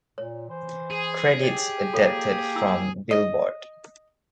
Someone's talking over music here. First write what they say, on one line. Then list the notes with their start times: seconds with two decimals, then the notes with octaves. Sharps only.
Credits adapted from "Billboard".
0.18 A#2 C#5
0.49 E3 C5
0.90 G#4
1.41 G4 C#5 D#5
1.93 A#3 F4 A4 C#5
2.56 E4 E6
3.11 D#5